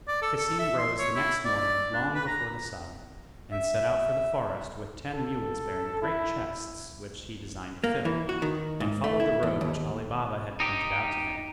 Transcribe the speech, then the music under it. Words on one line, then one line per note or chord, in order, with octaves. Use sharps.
Cassim rose the next morning long before the sun, and set out for the forest with ten mules bearing great chests, which he designed to fill, and followed the road which Ali Baba had pointed out to him.
D5
A4
A4
E5
C6
C#5
E4
D5
D4
B4
A#5
E5
A4
E4
A#3
E3
F#4
D#3
G#2
A3
E4
E2
D#2
D#4 G4